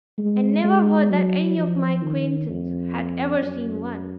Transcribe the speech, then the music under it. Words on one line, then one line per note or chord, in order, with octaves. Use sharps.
I never heard that any of my acquaintance had ever seen one.
G#3
G#3
F#3
F3
D#3
F2
F#2